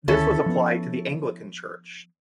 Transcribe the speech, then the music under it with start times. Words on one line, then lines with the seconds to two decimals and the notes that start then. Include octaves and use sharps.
This was applied to the Anglican Church.
0.08 D2 D#3 C#4 E4 A4
0.46 F3 B3